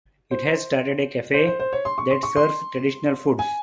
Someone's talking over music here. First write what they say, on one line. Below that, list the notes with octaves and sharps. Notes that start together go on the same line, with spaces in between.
It has started a cafe that serves traditional foods.
C5
C5
C5
C5
C#5
C6
C#6
C6
C#6
C6
G#5